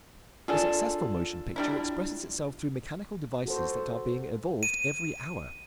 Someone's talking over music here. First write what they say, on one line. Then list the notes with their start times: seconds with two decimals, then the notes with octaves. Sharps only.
The successful motion picture expresses itself through mechanical devices that are being evolved every hour.
0.48 D4 F4 G#4 A4 D5
1.56 G3 D4 E4
3.46 F#4 A4 C5
4.63 D#7